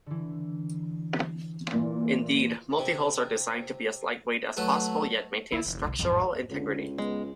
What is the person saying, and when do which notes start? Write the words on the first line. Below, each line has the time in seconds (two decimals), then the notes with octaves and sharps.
Indeed, multihulls are designed to be as light-weight as possible, yet maintain structural integrity.
0.06 D3 E3
1.73 A#2 E3
2.79 C3
4.57 F#3 A3 A4 B4
5.52 D2 E4
5.66 F1
5.84 B1 D3
5.99 A1 F2 G#2
6.50 C#2 D3
6.98 G#3 B3